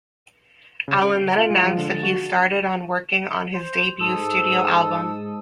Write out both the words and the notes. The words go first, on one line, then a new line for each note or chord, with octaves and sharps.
Allan then announced that he started on working on his debut studio album.
C#3
D7
C7
F4
G#3
F3
D3
A6
F#4
C5
G#2 A4 D#6 E6